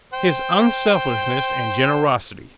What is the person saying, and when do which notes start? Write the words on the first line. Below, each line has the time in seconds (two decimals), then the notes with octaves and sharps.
His unselfishness and generosity?
0.13 C5 G5